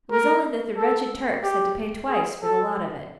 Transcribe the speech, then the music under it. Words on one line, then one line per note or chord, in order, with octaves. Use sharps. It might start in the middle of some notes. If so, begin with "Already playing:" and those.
It was only that the wretched Turks had to pay twice for the lot of it.
A#4
A4
G4
G#4
A4